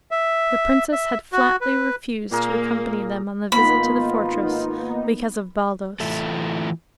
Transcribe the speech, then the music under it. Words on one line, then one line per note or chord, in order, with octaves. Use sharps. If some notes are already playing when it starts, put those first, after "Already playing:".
The princess had flatly refused to accompany them on the visit to the fortress because of Baldos.
E5
E5
F#4
B4
A#2 A#3 G#4 A#4
G#1 A#3 B3 D#4 F4 B5
E3 A3 E4 F4 A4